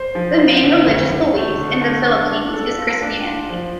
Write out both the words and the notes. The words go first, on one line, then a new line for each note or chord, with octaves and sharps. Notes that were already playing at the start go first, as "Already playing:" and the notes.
The main religious belief in the Philippines is Christianity.
Already playing: C5
F3
C5
D3
D2
D2
A3
D3
A3
D4
D4
A4
F4
D4
F4
F3